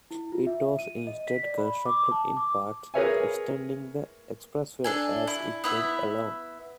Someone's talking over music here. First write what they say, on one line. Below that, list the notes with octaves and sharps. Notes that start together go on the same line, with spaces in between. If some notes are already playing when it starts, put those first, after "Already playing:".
It was instead constructed in parts extending the expressway as it went along.
E4
F4
E5
D#7
D#5
B6
D5
B5
D6
A5
D6
G#4 A#4 B4 C#5 E5 G#5
D4 A4 G#5
E4
B3 E4 E5